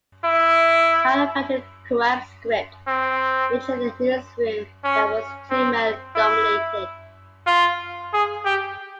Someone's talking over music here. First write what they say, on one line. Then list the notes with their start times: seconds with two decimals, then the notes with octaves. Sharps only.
Howard felt the Koepps' script featured a newsroom that was too male-dominated.
0.24 E4
2.88 C4
4.84 C#4
5.50 C4
6.16 E4
7.47 F4
8.13 G#4
8.45 G4